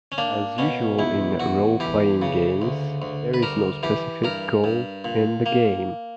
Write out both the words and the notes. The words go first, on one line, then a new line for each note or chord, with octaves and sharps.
As usual in role-playing games, there is no specific goal in the game.
C#4
A#3 D4
B2 C#4
E2 E4
E2 F#4
E3 G4
C#3
D2
D2
B4
G3 A#4
E3 G4
G2 A#4
G2
A#2
A#3